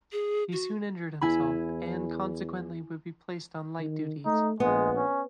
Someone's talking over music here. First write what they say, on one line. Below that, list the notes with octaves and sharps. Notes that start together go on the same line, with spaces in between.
He soon injured himself and consequently would be placed on light duties.
G#4
F#4
E2 E4 G#5 B5
D#3
A3 D#4
A#1 G#3 B3
C#4